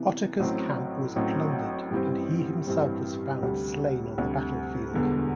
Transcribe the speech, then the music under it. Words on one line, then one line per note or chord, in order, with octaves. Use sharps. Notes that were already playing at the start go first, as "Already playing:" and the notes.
Ottokar's camp was plundered, and he himself was found slain on the battlefield.
Already playing: C3 E3 B3
A1 A2 F#3 C4
A1 A2 F#3 C4
G2 E3 G3 C4
G2 E3 G3 C4
D2 C3 G3
D2 C3 G3
E1 E2 D3 G3 B3